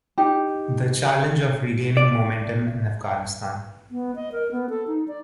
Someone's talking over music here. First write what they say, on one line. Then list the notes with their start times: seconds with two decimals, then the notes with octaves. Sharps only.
The Challenge of Regaining Momentum in Afghanistan.
0.18 D#4 G4
1.97 D5
3.91 B3
4.16 D#5
4.32 A#4
4.52 B3
4.69 A4
4.88 D#4
5.08 D5